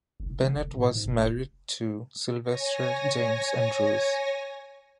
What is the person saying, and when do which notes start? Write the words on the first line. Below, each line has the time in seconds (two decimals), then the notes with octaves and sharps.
Bennett was married to Sylvester James Andrews.
0.20 F#1
0.43 D3
0.56 F1
0.74 A2
0.91 G#2
1.05 F1
1.20 F1
2.43 C#5 G#5 A#6